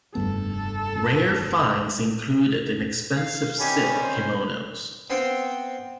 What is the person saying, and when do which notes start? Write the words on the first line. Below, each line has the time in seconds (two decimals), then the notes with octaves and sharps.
Rare finds included inexpensive silk kimonos.
0.15 F1 G2 B3 A4
3.17 F5
3.60 C3 D#3 C#4 G4 D5 G#5 B5
4.03 C5
5.10 B3 C4 C5 F5 G5